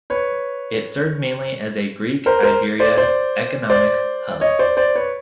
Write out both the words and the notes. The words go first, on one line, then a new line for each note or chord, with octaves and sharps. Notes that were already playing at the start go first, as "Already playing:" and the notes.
It served mainly as a Greek-Iberia economical hub.
B4 C#5
A#4 C5
A#4 C5
C5 D5
C5 D5
C5 D5
C#5 D#5
C5 D5
C5 D5
B4 C#5